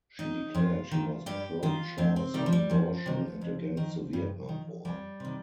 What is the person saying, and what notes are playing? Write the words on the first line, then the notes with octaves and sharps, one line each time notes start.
She declared she was pro-choice on abortion and against the Vietnam War.
D#3 D#4
F2 F4
D#3
G2 G4
D#3 F4
F2 C4
C4
C3 D#3 G3
F3
G3
F2 F3
C3 D#3
F2
D#3
G2
D#3
F2 G3
C3 D#3